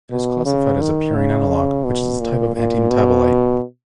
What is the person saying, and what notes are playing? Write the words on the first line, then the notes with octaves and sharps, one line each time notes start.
It is classified as a purine analog, which is a type of antimetabolite.
B2
C#3
D#3
C#3
B2
A#2
A#2
B2